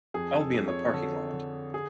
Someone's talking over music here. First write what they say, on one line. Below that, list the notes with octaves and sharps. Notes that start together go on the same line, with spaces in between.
I'll be in the parking lot.
F2 G#4
A4
F2
C#5
D3 A4
D3
G#4